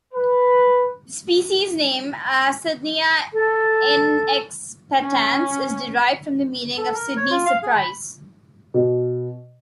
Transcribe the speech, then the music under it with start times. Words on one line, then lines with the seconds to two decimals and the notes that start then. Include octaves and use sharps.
The species name, "Sidneyia inexpectans", is derived from the meaning of "Sidney's surprise".
0.13 B4
3.33 A4
5.01 C#4
6.77 A4
6.95 A#4
7.16 C#5
7.30 F4
7.46 F5
7.63 G#4
7.75 B5
8.74 B2